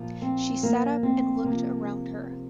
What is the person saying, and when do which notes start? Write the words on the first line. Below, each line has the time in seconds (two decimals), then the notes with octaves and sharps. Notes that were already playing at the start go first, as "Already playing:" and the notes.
She sat up and looked around her.
Already playing: A#2 F3
0.22 C4
0.63 A#3
1.03 C4
1.44 C3 F3 A#3